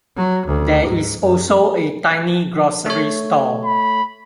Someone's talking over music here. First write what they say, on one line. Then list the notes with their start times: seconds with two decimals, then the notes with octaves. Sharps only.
There is also a tiny grocery store.
0.16 F#3
0.47 D2
0.86 G#2
1.21 F#2
2.86 A3 C#5
3.65 B5